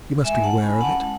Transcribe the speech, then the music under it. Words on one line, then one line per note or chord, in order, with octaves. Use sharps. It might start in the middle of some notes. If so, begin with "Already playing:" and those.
You must be aware of it.
G#3 E5 G#5
F#5 A5
C#4 E4 G#5 B5
F#5 A5
G#3 F#5 A5